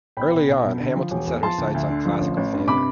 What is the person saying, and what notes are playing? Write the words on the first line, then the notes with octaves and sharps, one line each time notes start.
Early on, Hamilton set her sights on classical theater.
B1 G5 B5
B2
B1
B2
D3
F3
E1
E2
F3 A5 C6
D2
D2
D3
F3
A1
A1
G2
C3 B5 D6